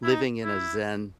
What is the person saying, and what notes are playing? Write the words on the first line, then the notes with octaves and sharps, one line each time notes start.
living in a Zen
E4
D#4
E4